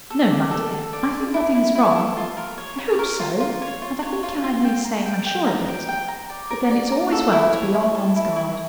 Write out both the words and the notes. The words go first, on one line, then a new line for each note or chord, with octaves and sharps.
"No, my dear, I think nothing is wrong: I hope so, and I think I may say I'm sure of it; but then it's always well to be on one's guard."
A4
D5
A4
A4
D5
D5
E4
E4
E4
A4
F4
A#4
C#5
C#5
A#4
F4
F4
C#5
F4
C#5
F4
F4
G5
A#5
G5
G5
A#5
G5
G5
A#5
D5
A#4
D5
A#5
A4
E4
C#5
E4
A4
E4
E4